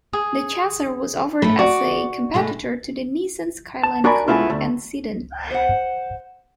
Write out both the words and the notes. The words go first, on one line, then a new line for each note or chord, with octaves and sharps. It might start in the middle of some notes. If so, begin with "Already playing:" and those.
The Chaser was offered as a competitor to the Nissan Skyline coupe and sedan.
G#4
A2 A3 B5
F#4 D5
B2 G#3 A3
A5
D4 F#4 A#4 D5 G#5 B5
G#3 A3 B3 E4 F4
D2 A3
C5 F#5